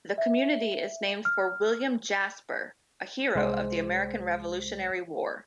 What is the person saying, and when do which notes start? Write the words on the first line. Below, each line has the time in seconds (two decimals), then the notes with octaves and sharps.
The community is named for William Jasper, a hero of the American Revolutionary War.
0.18 E5
1.25 F6
3.35 C2 G#3 C5